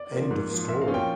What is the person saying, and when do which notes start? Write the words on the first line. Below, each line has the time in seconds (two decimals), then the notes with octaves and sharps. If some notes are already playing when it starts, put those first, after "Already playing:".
End of story.
Already playing: D5
0.12 F3 A#3
0.31 G#2
0.49 F3 A#3
0.68 A#2 E5
0.81 F5
0.87 F3 A#3 C#4
0.94 G5